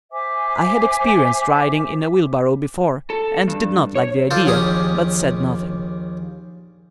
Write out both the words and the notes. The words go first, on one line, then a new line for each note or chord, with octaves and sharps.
I had experienced riding in a wheelbarrow before, and did not like the idea, but said nothing.
C5 E5 G#5 D6
A4
G2
C#5
F4 A4 C5 D5
A#1 D#2 C#4 G4 G#4 D#6